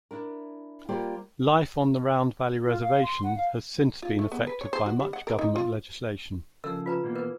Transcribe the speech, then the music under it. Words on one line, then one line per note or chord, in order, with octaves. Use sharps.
Life on the Round Valley Reservation has since been affected by much government legislation.
D4 E4 A#4
G3 A#3 F4 G4 C5 D5
F4
F5
C6
F#5
F5
F4
A3
B3
B4
C#5
C5
F#4
G3
F#5
A#4
D#4
F4
C#3 F3 A4 A#4 E6
F4 B4 A#5
B2 E3 A#3
A#4 B4